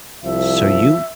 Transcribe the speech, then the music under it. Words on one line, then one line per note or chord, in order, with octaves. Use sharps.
So you
C2 F3 E5